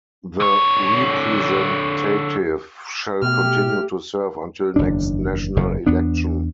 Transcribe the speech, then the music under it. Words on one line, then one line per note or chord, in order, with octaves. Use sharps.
The representative shall continue to serve until next national election.
D3 C#5
B2 A3 G4 F6
F#1 E2 D#3 D4
F#1 E2 C#3
E2 B3 D4